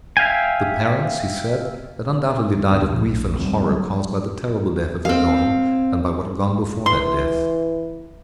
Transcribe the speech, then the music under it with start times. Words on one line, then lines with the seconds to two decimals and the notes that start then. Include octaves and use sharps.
The parents, he said, had undoubtedly died of grief and horror caused by the terrible death of their daughter, and by what had gone before that death.
0.17 E5 F5 G5 G#5
2.71 E1 D2 B3 D4
2.90 D1 B1 A#2 F3
3.05 A#1
3.39 D#2 F#3 G3 C4
3.71 F#3
5.05 C4 F5
6.86 E3 C6